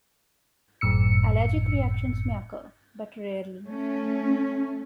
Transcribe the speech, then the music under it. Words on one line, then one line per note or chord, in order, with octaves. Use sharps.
Allergic reactions may occur, but rarely.
G1 F#2 A2 E6 C#7
A3 C#4